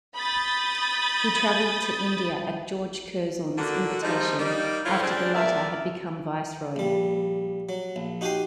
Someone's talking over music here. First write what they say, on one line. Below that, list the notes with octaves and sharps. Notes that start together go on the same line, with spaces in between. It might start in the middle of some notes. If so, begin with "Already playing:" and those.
He travelled to India at George Curzon's invitation after the latter had become Viceroy.
B5 D#6 G6 A6
D3 A#3 F#4
F3 G3 G#3 C4 D#4
G3 A#3 D#4
E4 F4 A4 A#4 C5 C#5
C#3 C4 D4
E2 A#2 A#4 D5 E5
A#1 G3
F#3
A#1
D#4 F#4 G4 G5 G#5 C6